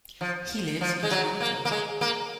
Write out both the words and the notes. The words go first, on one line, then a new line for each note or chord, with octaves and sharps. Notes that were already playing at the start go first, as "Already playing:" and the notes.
He lives in Toronto.
F3
F3
G#3
F#3
A#3
A#3
G#3
A#3